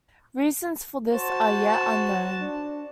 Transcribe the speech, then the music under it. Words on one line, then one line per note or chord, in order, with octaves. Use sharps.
Reasons for this are yet unknown.
F#4 C5 A5
D4